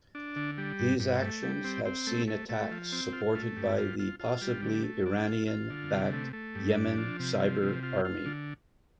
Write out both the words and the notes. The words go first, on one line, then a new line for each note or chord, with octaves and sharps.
These actions have seen attacks supported by the possibly Iranian backed Yemen Cyber Army.
D4
D3
G3
G2
G2
A3
G3
C4
C4
A3
A3
A3
F3
C4
F4
A3
G2
F4
F4
F4
G3
D3
A3
D4
F4
F4
D3
C3
A3
A3
G2
D4
F3
C3
F3
C3
F4
F4
D3